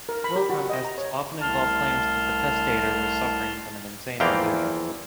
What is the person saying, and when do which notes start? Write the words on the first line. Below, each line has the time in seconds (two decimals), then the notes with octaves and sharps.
Will contests often involve claims that the testator was suffering from an insane delusion.
0.09 A#4
0.24 B5
0.36 G4
0.50 F#4
0.69 D#5
0.85 A#5
0.98 C#5
1.42 C2 A3 A5 C6 F6
4.20 E2 E3 F3 A#3 F5 G5